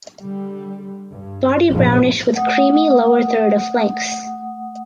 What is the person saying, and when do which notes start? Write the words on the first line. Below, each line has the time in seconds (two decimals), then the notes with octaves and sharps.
Body brownish with creamy lower third of flanks.
0.21 D3 G3
1.10 G2
1.69 A#1 F2 G#2 F3
2.33 A3 F#5 D#6